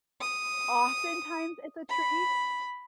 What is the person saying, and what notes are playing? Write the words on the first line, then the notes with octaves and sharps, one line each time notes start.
oftentimes, it's a treat,
D#6
B5